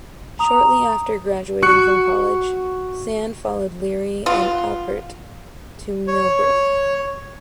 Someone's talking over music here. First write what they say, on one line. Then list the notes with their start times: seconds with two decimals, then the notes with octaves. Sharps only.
Shortly after graduating from college, Sand followed Leary and Alpert to Millbrook.
0.39 A#5 D#6 F7
1.63 F#4 C#6 F#6 C#7
4.26 B3 F4
6.07 C#5